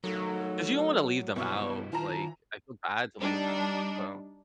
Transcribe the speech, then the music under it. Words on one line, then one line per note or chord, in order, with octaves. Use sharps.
'Cause you don't wanna leave them out, like, I feel bad to leave 'em out, so
F#3 A3 D#4 A4 A#4
G2 B2 E4 G4 C#6
D#3 E3 F4 A5 A#5
G3 D4 D#4